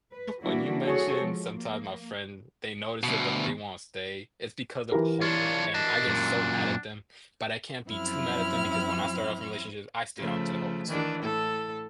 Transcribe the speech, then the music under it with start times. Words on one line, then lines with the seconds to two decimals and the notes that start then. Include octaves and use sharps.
when you mentioned sometimes my friend they notice it, but they won't stay, it's because of hope, and I get so mad at them, but I can't be too mad at them because when I started off in relationships, I stayed onto hope too.
0.12 B4
0.42 E3 G3 A#3 D4 E4 F#4
0.84 F#4 G#4 A4 C#5
1.19 F3 G#3
1.53 A#3
3.03 D2 B2
4.92 E3 G4 A#4
5.21 D4 F4 C#5
5.74 D4 D#5 A5
6.07 F#2 A#2
7.88 F#2 F3 C4 E4 E5 F6
10.17 C#3 F3 A3
10.87 D#3 E3 D4
11.22 A2 A4